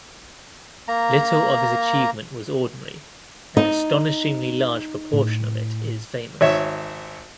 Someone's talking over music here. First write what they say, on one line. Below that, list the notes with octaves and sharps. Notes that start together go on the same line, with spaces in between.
Little of his achievement was ordinary; an astonishingly large proportion of it is famous.
A#3 A#5
D#4
A2
G#1 C#5 E5